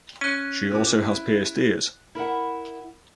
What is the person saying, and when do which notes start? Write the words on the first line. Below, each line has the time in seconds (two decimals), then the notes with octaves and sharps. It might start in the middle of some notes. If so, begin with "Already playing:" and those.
She also has pierced ears.
0.21 C#4 F#6 D#7
0.71 A#2 D6
1.01 E4
2.15 E4 A#4 E5 F#5